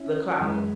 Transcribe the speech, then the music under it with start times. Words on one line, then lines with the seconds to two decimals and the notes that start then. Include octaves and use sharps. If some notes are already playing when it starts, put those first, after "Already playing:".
the clouds
Already playing: C#4 E4
0.41 F#2 E3 G#3